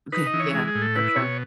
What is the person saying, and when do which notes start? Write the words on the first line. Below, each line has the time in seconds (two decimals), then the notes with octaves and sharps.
Okay, yeah, for sure.
0.12 D#4 B4
0.27 D#5
0.34 E3
0.40 C#5
0.53 G#3 G#4
0.67 G#4
0.75 A2
0.82 A4
0.96 E4 B4
1.16 B2 C#5